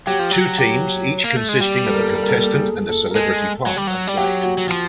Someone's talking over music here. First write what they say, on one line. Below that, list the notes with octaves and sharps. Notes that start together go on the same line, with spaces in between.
Two teams, each consisting of a contestant and a celebrity partner, played.
F#3 G4
F3
F#3
G4
A#3
A3
G#3
G3 G4
A4
A#4
A4
A#4
A4
A#4
A4
A#4
A4
G#4
A4
A4
A#4
G#3 A4
F#3
G3
F#3
G3
F#3 G4
F#4
F#3
F3